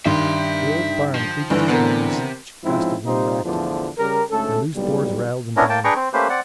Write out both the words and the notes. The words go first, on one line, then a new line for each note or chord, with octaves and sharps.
The old barn creaked dismally as each gust of wind racked it, and loose boards rattled and banged.
G2 D#3 E5 C6
F3
G1 D3 E3
C3 B3 A#4
G#2 F3 C4 C#4 D#4 E4
C3 G3 D#4 F4 G4 C5
E2 A2 D3 E3 F3
C#3 G3 G4 A#4
D2 G#2 A3 C#4 A4
B1 E2 A#2 D3 G3
B3 C#4 D4 E4 A#4
A#3 G5 A5
D4 G#4 B4 G5 A#5 C#6
C4
A3 A#3 C#4 G4 B4 C5
C4 D5 F#5